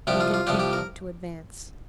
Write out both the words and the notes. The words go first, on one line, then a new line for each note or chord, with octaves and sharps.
He continued to advance.
C2 C3 F3 D4 G4
F4
F4
C2 C3 F3 D4 G4
G4
A#4